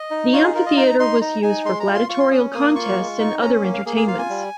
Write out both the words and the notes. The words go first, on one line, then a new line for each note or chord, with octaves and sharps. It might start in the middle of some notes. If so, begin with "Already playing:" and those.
The amphitheater was used for gladiatorial contests and other entertainments.
Already playing: D#5
D#4
F4 C#5
G#4
F4 A#4
D#5
D#4 A#5
D#4 C6
D#4 A#5
D#4 G#5
G#3 C6
A#5
F4
C6
F4 C#6
C6
C#4 D#6
A#3 D#6
F4 C#6
G#3
D#4
C#4 A#5
A#3
F5
A#3 G#4
G#4
F4 F5
G#5
G3